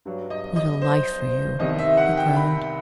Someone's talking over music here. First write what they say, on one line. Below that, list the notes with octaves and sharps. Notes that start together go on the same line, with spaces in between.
"What a life for you!--" he groaned.
G2 F#3
D#5
D#5
C5
C5
C2 C3 D#3 D#5
E5
F#5
G5
B5